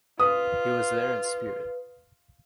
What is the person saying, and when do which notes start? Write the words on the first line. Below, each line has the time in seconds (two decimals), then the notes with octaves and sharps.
He was there in spirit.
0.20 F4 B4 D#6